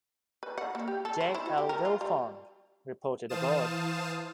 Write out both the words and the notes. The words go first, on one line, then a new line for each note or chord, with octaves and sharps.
J. L. Wilfong, reported aboard.
B4
F#5
A#3
G4
A4
C5
E4
F#4
G4
A#4
F4
G3
E3 C5 F5 A5 D#6 E7